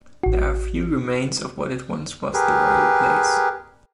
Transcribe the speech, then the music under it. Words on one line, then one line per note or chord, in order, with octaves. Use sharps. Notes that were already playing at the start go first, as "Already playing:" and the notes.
There are a few remains of what it once was the royal palace.
A1 F#4
G4 G#4 A#4 B4